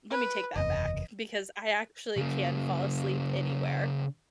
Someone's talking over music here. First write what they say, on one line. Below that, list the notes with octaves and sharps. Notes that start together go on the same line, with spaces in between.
let me take that back, because I actually can fall asleep anywhere.
B4
F#1 E2 C3 D#5
C#3 A#3